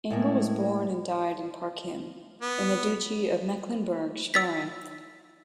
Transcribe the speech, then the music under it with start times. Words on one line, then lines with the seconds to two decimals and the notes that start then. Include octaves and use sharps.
Engel was born and died in Parchim, in the Duchy of Mecklenburg-Schwerin.
0.10 A2 G#3 A#3
2.42 B3
4.34 E6 A6 B6